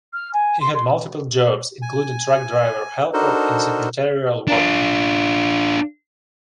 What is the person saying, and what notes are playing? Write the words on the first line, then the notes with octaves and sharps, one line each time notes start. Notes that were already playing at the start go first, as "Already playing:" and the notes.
He had multiple jobs, including truck driver helper and secretarial work.
F6
G#5
C6
C6
G#5
D4 D#4 F#4 A4 A#4 C5
D4 F4